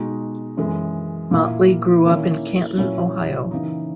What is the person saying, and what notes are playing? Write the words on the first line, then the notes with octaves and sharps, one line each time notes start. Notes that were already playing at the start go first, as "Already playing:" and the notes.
Motley grew up in Canton, Ohio.
Already playing: B2 G#3 D#4 F#4
F#2 E3 G#3
A#2 A#3 E4
D#3 A#3 C#4 E4
A#2 F#3 C#4 E4
C#3 E3 A#3 D#4